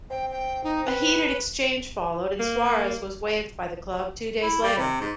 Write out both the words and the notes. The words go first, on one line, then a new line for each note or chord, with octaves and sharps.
A heated exchange followed, and Suarez was waived by the club two days later.
C4 G5
G5
D#4
B4
A#3
E4
G3
C3
G#2